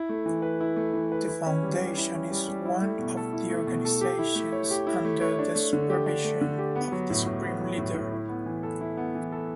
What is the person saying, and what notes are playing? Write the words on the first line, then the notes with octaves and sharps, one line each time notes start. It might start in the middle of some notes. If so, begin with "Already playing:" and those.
The foundation is one of the organizations under the supervision of the Supreme Leader.
Already playing: E4
A3
E3
B4
E4
A3
E3
B4
E4
C#4
G3
G3
E4
C#4
G3
G3
E4
A3
B2
A4
E4
A3
B2
A4
G4
E4
A3
C#5
G4
E4
A3
C#5
D4
A3
D3
G4
D4
A3
D3
G4
B3
F#3
A2
A2
B3
F#3
A2
A2
E4
B3
E3
A4
E4
B3
E3
A4